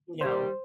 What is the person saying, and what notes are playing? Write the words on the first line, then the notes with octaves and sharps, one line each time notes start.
you know?
D#2 D#3 G3 C5